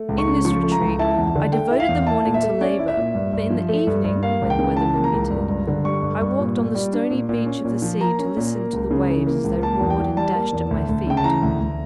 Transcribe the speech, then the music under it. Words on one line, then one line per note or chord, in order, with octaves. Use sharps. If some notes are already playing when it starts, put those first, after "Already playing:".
In this retreat I devoted the morning to labour; but in the evening, when the weather permitted, I walked on the stony beach of the sea to listen to the waves as they roared and dashed at my feet.
Already playing: A3
C#2
C#6
C#3
F3 C#6
A3
A#5
C#2
E4 A5
E2
D3
A3 G5
E4
F5
E2
E4 A5
A#2
E5
A3
C#4 D5
E4
E5
A#2
G2
G2
F3
A3
G2
G2
A#3 F5
C#2
G5
C#3
E3 A5
A#3
A#5
C#2
G2
G2
D3
G3 C#6
G2
G2
A#2
A#2
G3
D4
A#2
A#2
C#4
A#2
F3
A#3 A#5
C#4
A#2
A#3
C#2
C#3
E3
A#3
C#2
A#3 A5
E2
G5
E3
G3 A5
A#3
E2
D2
D2
C#3 G5
A5
E3 A#5
D2
D2